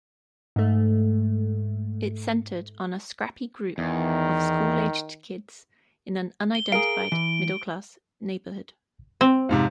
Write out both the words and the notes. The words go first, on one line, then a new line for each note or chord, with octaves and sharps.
It centered on a scrappy group of school-aged kids in an unidentified, middle-class neighborhood.
G#2 A3
E2 D#3
G7
G#4 A#4 F5 D7
E3
C4
F2 G#2 C3